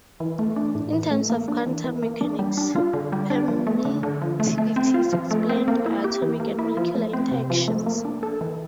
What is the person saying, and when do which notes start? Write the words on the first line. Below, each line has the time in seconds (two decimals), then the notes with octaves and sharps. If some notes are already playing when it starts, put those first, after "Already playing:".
In terms of quantum mechanics, permittivity is explained by atomic and molecular interactions.
0.20 E3
0.39 A3
0.56 D4
0.75 A2
0.93 E3
1.11 A3
1.30 A#3
1.48 D4
1.66 E3
1.84 E3
2.02 A#3
2.21 D4
2.39 G3
2.57 D4
2.76 F4
2.93 D3
3.12 G3
3.30 D4
3.48 F3
3.67 A3
3.85 D3
4.03 D3
4.21 F3
4.40 A3
4.58 A3
4.76 C4
4.94 F4
5.13 F3
5.31 A3
5.49 C4
5.68 A#3
5.86 E4
6.04 G4
6.22 E3
6.40 A#3
6.59 E4
6.77 F3
6.94 A3
7.13 C4
7.31 C3
7.50 F3
7.68 A3
7.86 A#3
8.05 D4
8.23 A4
8.41 E3